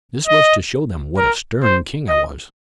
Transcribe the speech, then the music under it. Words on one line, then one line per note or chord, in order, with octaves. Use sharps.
This was to show them what a stern king I was.
D#5
A#4
C5
D#5